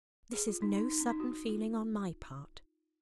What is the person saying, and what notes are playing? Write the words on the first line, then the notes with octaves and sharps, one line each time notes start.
This is no sudden feeling on my part.
G#4
F4
D#4
D#4
D#4
C#4
D#4
F#4
F4